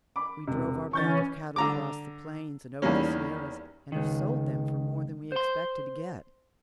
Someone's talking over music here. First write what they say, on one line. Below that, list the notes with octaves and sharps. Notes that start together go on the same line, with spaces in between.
We drove our band of cattle across the plains and over the Sierras, and have sold them for more than we expected to get.
B5 D6
E1 C3
E3 C#4 C#6 G6 A6
D3 A#5 D6
E2 D#3 G3 A#3 C#4
C#2 D#3
C5 C6